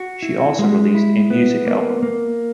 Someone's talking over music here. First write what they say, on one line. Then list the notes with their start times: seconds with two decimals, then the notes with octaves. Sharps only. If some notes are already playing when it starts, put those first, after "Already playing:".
She also released a music album.
Already playing: F#4
0.22 E4
0.59 G#3
0.95 E4
1.30 B3
1.67 A#3
2.02 A#3